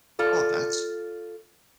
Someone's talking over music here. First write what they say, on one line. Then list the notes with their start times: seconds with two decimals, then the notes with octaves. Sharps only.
Oh, that's
0.19 F4 A4 D5